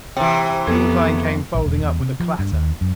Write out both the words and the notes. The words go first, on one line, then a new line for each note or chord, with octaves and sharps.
The incline came folding up with a clatter.
C3 E3 G5
F2 B3 A4 G#6
A#1
E1
E2
C3
F3
G2
D#2
F#2